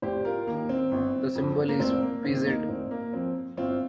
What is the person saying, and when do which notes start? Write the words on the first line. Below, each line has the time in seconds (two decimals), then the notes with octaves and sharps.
The symbol is pz.
0.02 F1 G4 C5
0.25 F4 A#4
0.47 D#2 D#3 A#3
0.69 C4
0.92 G1
1.35 F2 F3
1.68 A#3
1.80 F1 C4
2.02 A#3
2.24 D#2 D#3 C4
2.46 A#3 D#4
2.69 F1 C4
2.91 A#3
3.13 F2 F3 C4
3.57 G1 C4 F4